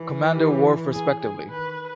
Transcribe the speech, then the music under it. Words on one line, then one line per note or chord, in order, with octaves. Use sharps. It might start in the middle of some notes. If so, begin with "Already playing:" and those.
Commander Worf respectively.
Already playing: E3
G4
G#4
G#4
D#3 B4